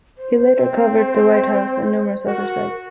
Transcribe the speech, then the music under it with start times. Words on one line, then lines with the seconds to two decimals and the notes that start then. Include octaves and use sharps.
He later covered the White House and numerous other sites.
0.18 C5
0.58 C4
2.27 F#4 A#4